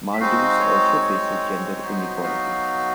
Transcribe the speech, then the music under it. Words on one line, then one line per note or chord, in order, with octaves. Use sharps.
Maldives also faces gender inequality.
E5
G#3 C4 D#4 F#4 F5
C#5
C#5
F#3 B3 D#4 F#4 C5
F5